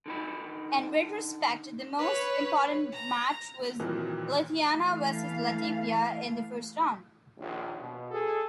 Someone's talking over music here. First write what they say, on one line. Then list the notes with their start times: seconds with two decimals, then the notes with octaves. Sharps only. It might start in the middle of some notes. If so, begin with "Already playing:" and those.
In retrospect, the most important match was Lithuania versus Latvia in the first round.
0.06 D3 D#4 B5
1.99 B4 C#5
2.92 A#5
3.80 F2 A#2 D#3 E3 F#3
4.71 E3 A3 F5
7.38 A#1 D#2
7.79 B2
8.10 G#4 A4